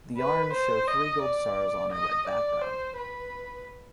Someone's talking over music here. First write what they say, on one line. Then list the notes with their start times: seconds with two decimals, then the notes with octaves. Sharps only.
The arms show three gold stars on a red background.
0.18 B4
0.53 C5
0.88 D#5
1.22 D5
1.92 D#5
2.27 D5
2.62 C5
2.97 B4